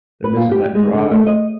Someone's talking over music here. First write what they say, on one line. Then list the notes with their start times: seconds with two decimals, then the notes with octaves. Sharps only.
They're missing that drive,
0.24 B4
0.37 A#2
0.52 G4
0.75 G#3
0.94 D3
1.11 A3
1.27 D#5